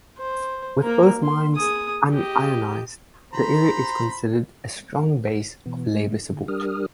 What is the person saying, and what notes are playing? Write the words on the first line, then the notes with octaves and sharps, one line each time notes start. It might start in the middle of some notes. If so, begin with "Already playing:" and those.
With both mines unionized, the area is considered a strong base of labour support.
C5
A#3 A#4
C6
G#4 D#6
G4 D#5
C5 A#5 B5
B2 E3 B3
G#3 A3
D3
G3 D4 G4 A#4 D#6 F6